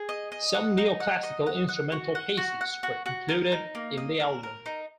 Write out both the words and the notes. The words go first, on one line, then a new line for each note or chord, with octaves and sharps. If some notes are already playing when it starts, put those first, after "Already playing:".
Some neoclassical instrumental pieces were included in the album.
Already playing: G#4
D#5
D#5
F#5
D#4
F#5
D#5
F#5
F#5
F#4
F#5
F#4
F#5
F#4
F#4
A#4
D#4
A#3
D#5
A#4
A#4
D#4